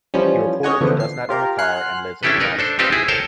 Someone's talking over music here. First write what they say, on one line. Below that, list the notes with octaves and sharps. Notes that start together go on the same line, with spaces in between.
He reportedly does not own a car and lives in a modest condo.
E3 F3 G3 C#4
C#4 G#4 C#5 D#5 F#5 G#5
D3 E3 F3 B3 E4
C7
F4 G4 A#4
F#5 G#5 C6 F6 F#6 C7
C#4 D4 E4 G4 A4 B4
D#4 A#4 B4
D4 A4 C5
C4 D#4 F4 G4 B4 C5
E4 G#4
A4 A#4 C5 C#5 G5 A5